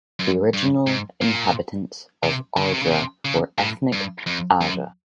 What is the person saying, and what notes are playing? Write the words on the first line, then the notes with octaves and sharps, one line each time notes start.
The original inhabitants of Ardra were ethnic Aja.
F#2
G2
G#2
A#2
C3
D3
C#3
C3
C#3
C3
C#3
A2
G2
F2
F#2